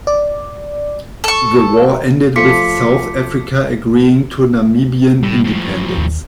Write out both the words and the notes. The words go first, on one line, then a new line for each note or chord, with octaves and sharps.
The war ended with South Africa agreeing to Namibian independence.
D5
A4 C#6
F3 A3 F4 D6 B6 C#7
A2 G3
A2 F3
D#2